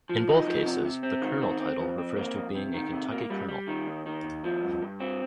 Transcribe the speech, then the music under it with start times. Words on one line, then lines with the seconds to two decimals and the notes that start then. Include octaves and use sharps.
In both cases, the "Colonel" title refers to being a Kentucky colonel.
0.09 F3
0.28 D#4
0.47 F3
0.66 C3
0.85 C3
1.03 C4
1.22 D#3
1.41 C4
1.60 C4
1.80 F2
1.98 C4
2.16 A#3
2.35 F2
2.55 C3
2.74 D#3
2.92 C3
3.11 A#3
3.30 G3
3.49 G3
3.68 D#3
3.87 D#2
4.06 D#3
4.24 D#2
4.44 F3
4.63 G2
4.82 G2
5.00 C4